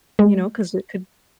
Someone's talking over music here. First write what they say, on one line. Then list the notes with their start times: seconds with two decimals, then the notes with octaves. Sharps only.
You know, 'cause it could
0.19 G#3